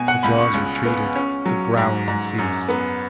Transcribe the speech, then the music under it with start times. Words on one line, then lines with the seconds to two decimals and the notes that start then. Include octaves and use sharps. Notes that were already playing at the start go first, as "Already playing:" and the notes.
The jaws retreated, the growling ceased.
Already playing: B2 G#5
0.08 F#5
0.23 C#2 B5
0.38 C#6
0.54 C#2
0.85 B3
1.16 C#4
1.46 F#3
1.77 G#2
2.08 G#2
2.39 F#2
2.69 B3